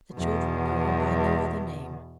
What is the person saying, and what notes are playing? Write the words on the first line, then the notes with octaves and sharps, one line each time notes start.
The children know him by no other name.
E2 B2